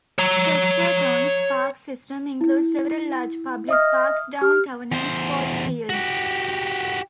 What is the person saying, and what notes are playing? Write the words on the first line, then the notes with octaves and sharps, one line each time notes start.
Chesterton's park system includes several large public parks downtown and sports fields.
C#5 A#5
E4
D#5 E5 D#6 F6
G4 F6
E2 C5
F#4 G4